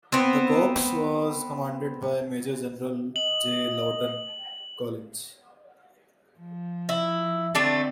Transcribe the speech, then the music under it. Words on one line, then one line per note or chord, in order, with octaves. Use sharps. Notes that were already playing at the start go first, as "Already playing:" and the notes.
The Corps was commanded by Major General J. Lawton Collins.
B3 C4
D#5 F#7
F3
E4
D3 A3 C4 D4 A5